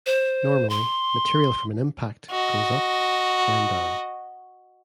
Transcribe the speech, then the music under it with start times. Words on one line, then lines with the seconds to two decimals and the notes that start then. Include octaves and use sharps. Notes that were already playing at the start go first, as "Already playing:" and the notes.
Normally, material from an impact goes up, then down.
0.06 C5
0.70 C6
2.31 F#4 D#5